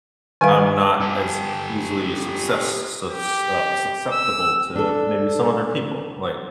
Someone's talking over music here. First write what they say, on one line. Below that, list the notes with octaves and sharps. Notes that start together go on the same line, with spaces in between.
I'm not as easily success sus uh, susceptible to maybe some other people, like
D#3 G3 B4 F5 G#5
G4 A4
G4
E6
D4 A4